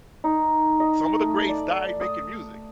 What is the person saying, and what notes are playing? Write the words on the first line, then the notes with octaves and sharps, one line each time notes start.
some of the greats died making music,
D#4
D#5
A3
D5
D#6